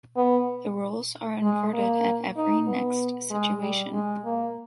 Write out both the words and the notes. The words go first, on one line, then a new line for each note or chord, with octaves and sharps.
The roles are inverted at every next situation.
B3
G#3
A#3
D#4
B3
G#3
G3
G#3
A#3